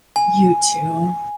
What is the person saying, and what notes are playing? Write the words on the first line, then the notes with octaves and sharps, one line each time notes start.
You too.
G#5